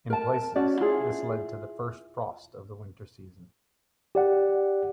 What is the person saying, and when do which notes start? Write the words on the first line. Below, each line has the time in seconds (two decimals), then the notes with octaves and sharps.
In places, this led to the first frost of the winter season.
0.10 A#4 A5
0.56 C#4 F#4 D5
0.80 E4 F4 G#4
4.15 G4 D5 F#5